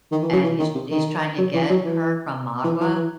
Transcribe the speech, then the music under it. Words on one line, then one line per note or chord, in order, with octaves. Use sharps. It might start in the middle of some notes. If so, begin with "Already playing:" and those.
and he's he's trying to get her from Magua,
D#3
E3
F#3
E3
D#3
C3
D#3
F#3
E3
F#3
E3
E3
E3
E3